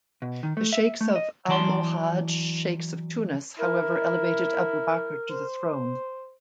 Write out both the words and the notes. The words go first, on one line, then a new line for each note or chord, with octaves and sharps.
The sheikhs of Almohad sheikhs of Tunis however elevated Abu Bakr to the throne.
B2
D#3
A3
E5
A3
D#5
E3 F#3 D5 A5 A#5 C6
E4 A#4
C5